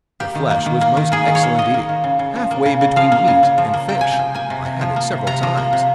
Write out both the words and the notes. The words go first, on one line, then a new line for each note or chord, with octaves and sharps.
Their flesh was most excellent eating--half-way between meat and fish: I had it several times.
A#3 G4
D#3
A#3
D#3
A#3
D#3
A#3 G#4
D#3
C#5
A#3
D#3 D#5
A#3
D#3
C#3
C#3
F3
A#3
C#3
C#3
F3 F5
A#3
C#3
C#3
F3
A#3
C3 G5
C3 G#5
G5
F3
A#3 G#5
C3
C3
F3
A#3
C3
C3 A#5
F3
A#3
C3